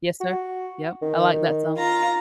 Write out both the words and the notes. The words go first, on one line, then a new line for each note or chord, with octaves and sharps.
Yes, sir, yep, I like that song.
F#4
D#3
F4 A#5